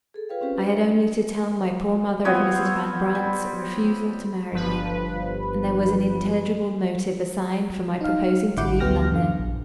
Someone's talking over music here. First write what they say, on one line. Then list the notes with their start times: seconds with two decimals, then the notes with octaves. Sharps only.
I had only to tell my poor mother of Mrs. Van Brandt's refusal to marry me, and there was an intelligible motive assigned for my proposing to leave London.
0.14 G#4 A4
0.29 F4 G#4 B4 C#5 F5 G5
0.41 C4 C#4 F4 G4 B4 C5
0.57 D4 G4 D5
0.72 E5
2.25 B3 C4 F4 C#5
3.15 G3
4.52 G1 G2 F3 B4
8.01 D#4 F5
8.57 A1 D3 E4 F#5 D6 G6
8.80 D2 B3 G4 G5 F6 A#6
9.12 F#2 D3 F5
9.39 A#1